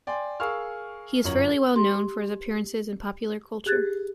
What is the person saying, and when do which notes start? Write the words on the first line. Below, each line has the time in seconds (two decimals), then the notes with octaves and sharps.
He is fairly well known for his appearances in popular culture.
0.07 D5 G5 G#5 C6
0.40 G#4 A#4 F5 C#6 E6 F6
1.24 G1 F#2 C#5 F#7
1.75 G4 C6
3.66 G4 G#4 F#6 G#6 A6